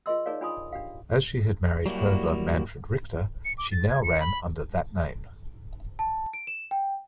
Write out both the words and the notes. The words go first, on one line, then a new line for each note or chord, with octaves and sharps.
As she had married hurdler Manfred Richter, she now ran under that name.
F4 G#4 A#4 D#5 C6 E6
D#4 G#4 A#4 C#5 D5 F5
D4 F4 G#5 B5 C6 D#6
D4 G4 F5
F#3 G3 A#3 E4 F#4
C#7
D6
A6
G#6
C#7
B5
A5
D7
E7
G5